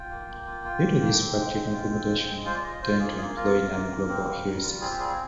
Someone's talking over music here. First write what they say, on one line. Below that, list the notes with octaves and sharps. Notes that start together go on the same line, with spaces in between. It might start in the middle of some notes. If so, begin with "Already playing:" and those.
Due to this, practical implementations tend to employ non-global heuristics.
Already playing: F4 G5
A#3
A#3
F4
F4
A#3
A#3
C4
G#3
G#3
F4
C4
G#3
G#3
F4 C5
D5
F4 D#5
F4 C5
A#3 G#4
A#3 G#4
F4 A#4
F4
A#3
A#3
C4
G3
G3
F4
C4 G#4
G4
G3 G#4